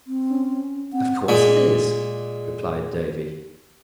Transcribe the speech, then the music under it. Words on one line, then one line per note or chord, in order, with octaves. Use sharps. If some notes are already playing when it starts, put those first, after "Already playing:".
"Of course it is," replied Davy.
C4
C#4
C4 F#5
A#2 G#3